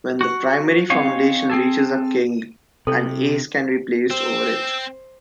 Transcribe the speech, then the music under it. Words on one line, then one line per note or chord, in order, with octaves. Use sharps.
When the primary foundation reaches a king, an ace can be placed over it.
F#4
C4 C#4 D#4 C#5 F5
C4 G#4 A4
C3 A4
C4 C5 E6